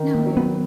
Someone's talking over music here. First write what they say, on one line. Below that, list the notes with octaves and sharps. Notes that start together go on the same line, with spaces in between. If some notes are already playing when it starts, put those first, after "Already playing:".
No, yeah.
Already playing: D#3
A#3
F#3
B3